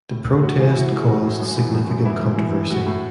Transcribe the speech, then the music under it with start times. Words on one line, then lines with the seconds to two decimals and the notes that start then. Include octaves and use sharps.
The protest caused significant controversy.
0.11 A2
0.27 A2
0.43 A2 F#4
0.59 E3 G#4
0.70 E4
0.75 E3 F#4
0.91 E3
0.98 G#4
1.08 A2 F#4
1.25 A2
1.40 F#2
1.57 E3
1.73 F#2
1.89 F#2
2.05 E3 E4
2.22 F#2
2.38 E3
2.54 E3
2.70 A2 F#4
2.86 A2